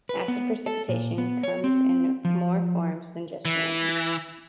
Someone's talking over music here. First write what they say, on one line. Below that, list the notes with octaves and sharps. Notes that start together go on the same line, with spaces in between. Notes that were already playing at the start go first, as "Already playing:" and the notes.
Acid precipitation comes in more forms than just rain.
B4
B3
A4
A#2
B3
C#5
C4
F3
E3